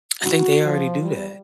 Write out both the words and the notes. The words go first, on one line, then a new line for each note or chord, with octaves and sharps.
I think they already do that.
F#4
F3
G3